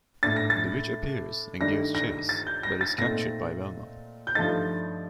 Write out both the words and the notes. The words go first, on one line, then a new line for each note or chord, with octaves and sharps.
The witch appears and gives chase, but is captured by Velma.
A2 A3 D4 A6
A#6
A6
G2 D#3 A3 D4 A#6
A#6
A6
G6
A#6
A6
A#2 A3 C4 D#4 A#6
G6
G2 F3 A3 D#4 A6